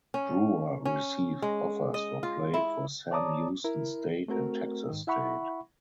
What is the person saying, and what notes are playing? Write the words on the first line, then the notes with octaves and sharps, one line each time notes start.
Brewer received offers for play for Sam Houston State and Texas State.
C#4
C#4
G#3
D#5
F4
E4
C#5 D5 A5 A#5 D6 D#6
E4 A#4
A3 C4 F#4 A#4
G#2 D#3
E4 E5 F#5 B5 C#6